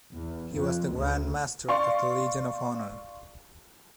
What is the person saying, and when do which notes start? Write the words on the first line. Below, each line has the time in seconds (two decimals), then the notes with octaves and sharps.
He was the Grand Master of the Legion of Honor.
0.11 E2
0.55 F2
0.95 D2
1.69 D5 F5 C6 C#6